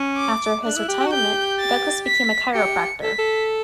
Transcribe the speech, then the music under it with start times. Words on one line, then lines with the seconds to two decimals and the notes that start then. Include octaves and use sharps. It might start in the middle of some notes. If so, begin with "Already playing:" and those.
After his retirement, Douglas became a chiropractor.
Already playing: C#4
0.17 D6
0.65 D4 F#6
0.76 E4
0.88 G4
1.00 G4
1.06 F#4
1.12 G4 G6
1.60 A6
2.07 B6
2.55 G4 C#7
3.03 A4 B6
3.18 A4